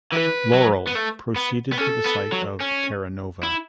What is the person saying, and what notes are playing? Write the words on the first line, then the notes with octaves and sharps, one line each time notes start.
"Laurel" proceeded to the site of "Terra Nova".
E3 B4
F#3
B3
A3
B3
B3
C#4 A4
B3
F#3
C#4
E4